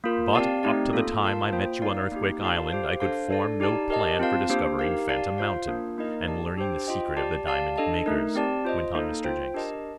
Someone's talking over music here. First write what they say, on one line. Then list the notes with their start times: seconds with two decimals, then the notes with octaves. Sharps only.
"But, up to the time I met you on Earthquake Island, I could form no plan for discovering Phantom Mountain, and learning the secret of the diamond makers," went on Mr. Jenks.
0.04 A#3 F4 A#4
0.33 C4 G4 D5 F5 A5
0.63 A3 C4 D#4 G4 D5
0.93 A#3 F4 A4
1.23 F4 A#4 F5 A5
1.52 A#3 F4 C5 G5
1.82 D#4 A#4 D5 F5
2.12 A#3 D#4 G4
2.41 F4 A4 D5 F5 A5
2.71 G4 C5 F5
3.00 D4 A4 C5 F5
3.30 D4 A4 D5
3.60 D#4 G4 D5 A5
3.90 G4 A#4 D#5 A5
4.19 C4 F4 C5 F5 A5
4.50 A#3 D4 G4 C5
4.79 D#4 G4 A#4 F5
5.09 G4 D5 F5 A5
5.38 F4 C5 F5
5.68 A#3 D4 F4 A#4
5.98 A#3 D#4 A#4 D#5
6.28 G4 D5 A5
6.57 D4 G4 C5 G5
6.87 F4 C5 D#5 G5
7.16 G4 D5 A5
7.47 G4 D5 F5 A5
7.76 D4 A4 D#5 A5
8.06 A3 D#4 A#4
8.35 C4 G4 D5 A5
8.65 F4 C5 D#5
8.95 A#3 D#4 A4
9.24 F4 C5 G5
9.54 D4 G4 A#4 D#5 A5